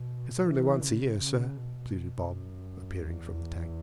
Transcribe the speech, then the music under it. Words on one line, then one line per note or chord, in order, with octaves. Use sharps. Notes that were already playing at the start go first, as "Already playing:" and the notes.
"It's only once a year, sir," pleaded Bob, appearing from the Tank.
Already playing: B2
E3
C#3
C#3
B2
F#2
E2